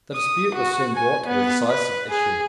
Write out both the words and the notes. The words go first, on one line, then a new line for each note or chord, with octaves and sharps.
The dispute was soon brought to a decisive issue.
D#6
F#4
G#5
B3
B4
G#4